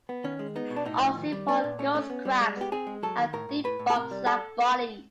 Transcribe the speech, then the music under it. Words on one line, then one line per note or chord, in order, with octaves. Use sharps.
"Ocypode" ghost crabs have deep box-like bodies.
B3
D#3 C#4
G#3
B3 D#4
B2
D4
A2 D#4
F3
D#3
G3
B3 D4
A#2
A3 C#4
A3 C#4
B3
G3
G#3
B3 G4
C4 G#4
G#3
F#3 A4
D#3
A2 A#4
A2
A2 B4
A2
A4
C3 A#4
G3
A4